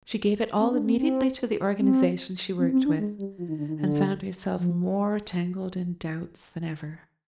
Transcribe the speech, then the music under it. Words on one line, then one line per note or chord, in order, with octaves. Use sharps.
She gave it all immediately to the organization she worked with, and found herself more tangled in doubts than ever.
C4
D4
C4
C4
C4
C4
C4
D4
G#3
G3
F3
D#3
D3
D#3
D3
F3